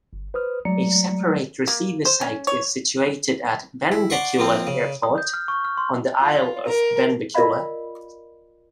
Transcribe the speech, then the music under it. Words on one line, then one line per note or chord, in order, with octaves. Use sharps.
A separate receiver site is situated at Benbecula Airport, on the Isle of Benbecula.
G1
B4 C5 D#6 F6
F#3 G#3 A3 D5 A#5 C#7
A#3
C5
C#4
C#5
E4
D5 F#5 C6 C#6
F3 A#3 C4
C#3
D#6
G6
F6
C#6
F6
C6
F4
A#4
F4 A#4 D5 D#5 F5 B5